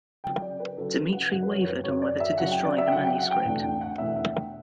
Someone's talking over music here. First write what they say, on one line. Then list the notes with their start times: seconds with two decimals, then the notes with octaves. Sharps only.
Dmitri wavered on whether to destroy the manuscript.
0.24 C#3 F#3 C#4 G5
0.42 D5
0.60 B4
0.78 C#3 F#3 C#4 A4
0.89 A4
0.95 B4
1.12 F#5
1.31 F#2 C#3 F#3 F#5
1.43 B4
1.49 C#5
1.61 C#5
1.67 B4
1.84 F#2 C#3 F#3 C#5
2.02 D5
2.20 E5
2.38 C#3 F#3 C#4 F#5
2.51 G5
2.65 D5
2.78 E5
2.87 G5
2.92 C#3 F#3 C#4 F#5
3.05 G5
3.18 F#5
3.31 G5
3.44 E2 B2 A3 D4 G5
3.63 G5
3.81 F#5
3.98 E2 B2 A3 D4 E5
4.16 E5
4.34 G5